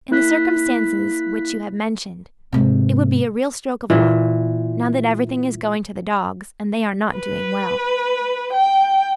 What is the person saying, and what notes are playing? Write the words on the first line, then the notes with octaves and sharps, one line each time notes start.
In the circumstances which you have mentioned, it would be a real stroke of luck, now that everything is going to the dogs, and they are not doing well.
A#3 E4 F#6 B6
G#2 C3
A#2 E3
B4
G5